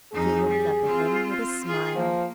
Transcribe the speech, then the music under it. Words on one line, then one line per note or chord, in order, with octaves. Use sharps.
She looked up at him with a smile.
F2 D#4 G#4
G3
C4 F4
F4 G#4
F3 A#3